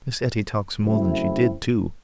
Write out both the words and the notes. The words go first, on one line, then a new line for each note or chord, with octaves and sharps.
Miss Etty talks more than she did, too.
C#3 F#3 A3 C4 E4